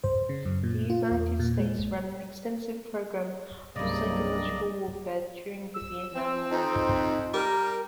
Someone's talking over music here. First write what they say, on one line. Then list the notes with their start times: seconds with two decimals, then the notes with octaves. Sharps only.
The United States ran an extensive program of psychological warfare during the Vietnam War.
0.04 C5
0.29 C#3
0.45 F#2
0.63 A#2
0.90 F4
1.11 E2
1.39 A#2
1.59 G#3
3.76 C2 G2 C#3 F#3 A#3 D5 D#5
5.74 E6
6.15 C4
6.51 F2 D#4
7.34 G3 A#4